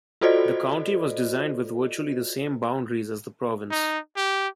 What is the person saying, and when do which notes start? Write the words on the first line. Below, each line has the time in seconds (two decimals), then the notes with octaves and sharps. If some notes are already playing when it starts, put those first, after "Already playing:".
The county was designed with virtually the same boundaries as the province.
0.21 F4 F#4 A4 C5 D5 D#5
3.71 D#4
4.16 G4